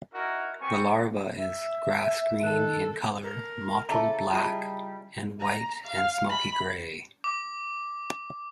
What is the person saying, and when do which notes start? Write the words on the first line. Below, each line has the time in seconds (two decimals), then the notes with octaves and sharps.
The larva is grass green in colour, mottled black and white and smoky grey.
0.13 D#4 E4 F#4 A#4
0.61 G3 B3 C4 G#5 C#6
1.37 E5
2.43 D#3 A4 F#6
3.23 A4 A#4
3.89 C#3 E4 A4 E5 A5 A#5
4.34 G3 F4 G#4 A#4 D#5 E5 A5
5.40 A#5
5.84 F5
6.29 B5
7.24 D6